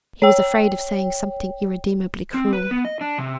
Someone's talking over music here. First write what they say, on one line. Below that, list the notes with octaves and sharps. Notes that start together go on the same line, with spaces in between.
He was afraid of saying something irremediably cruel.
C#5 G5
C4
B4
B3
D#5
D4
C3